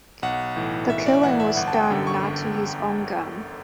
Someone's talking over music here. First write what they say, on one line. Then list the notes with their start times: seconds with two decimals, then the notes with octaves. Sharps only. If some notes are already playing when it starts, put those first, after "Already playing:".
The killing was done not to his own gun.
0.23 B1 F#5
0.56 A2 E3
0.90 B1 E5
1.06 D5
1.23 A2 E3 F#5
1.40 E5
1.56 G1 F#5
1.67 A5
1.73 G5
1.90 F#2 D3
2.07 C#6
2.23 G1